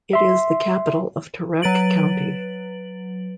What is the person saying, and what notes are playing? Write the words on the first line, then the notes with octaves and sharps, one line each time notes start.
It is the capital of Turek County.
E5 C6
F#3 B4 A6 D7 F#7